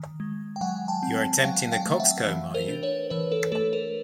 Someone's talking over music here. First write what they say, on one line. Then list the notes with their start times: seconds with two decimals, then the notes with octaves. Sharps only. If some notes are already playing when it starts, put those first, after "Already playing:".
You are attempting the coxcomb, are you?
Already playing: D#3
0.20 G#3
0.56 G5
0.61 F#3 F#5 G#5
0.88 G5 A5
1.03 C4
1.44 F#3 F5 G5
1.72 F5 G5
1.86 A3
2.00 E5 F#5
2.27 E3
2.54 A#4 C5
2.69 D4
2.83 B4 C#5
3.10 E3 B4 C#5
3.32 A4 B4
3.52 A3 A4 B4
3.73 A#4